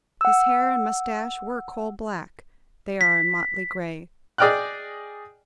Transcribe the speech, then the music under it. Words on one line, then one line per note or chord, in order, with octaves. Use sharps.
His hair and mustache were coal black; they are a motley gray.
F#5 E6
B6
G#4 D5 D#5 G5 F6 F#6